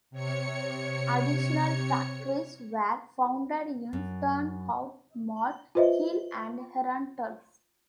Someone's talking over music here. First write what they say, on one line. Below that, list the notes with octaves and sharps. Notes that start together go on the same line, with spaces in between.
Additional factories were founded in Turnhout, Mol, Geel and Herentals.
C3 C#5 C#7
F#2
F4 B4 C5 D#5 E5